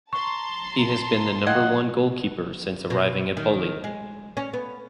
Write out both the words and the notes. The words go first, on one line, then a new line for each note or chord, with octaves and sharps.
He has been the number one goalkeeper since arriving at Poli.
A5 A#5 C6 C#6
C4 D#5 F5 F#5 G#6
B2
D#3
G#3
C#4
B3